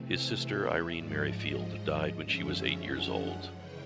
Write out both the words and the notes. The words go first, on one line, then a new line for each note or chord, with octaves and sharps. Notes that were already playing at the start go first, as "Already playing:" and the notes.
His sister Irene Merryfield died when she was eight years old.
Already playing: C3 E3 A3 C4
E5
G#2 F3 G#3 D5
D#5
F#2 D3 F3 G#3 C#4 E5
F#5
C#3 E3 G#3 C#4 G5